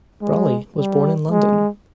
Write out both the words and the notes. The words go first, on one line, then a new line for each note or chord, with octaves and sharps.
Brolly was born in London.
G#3
G3
G#3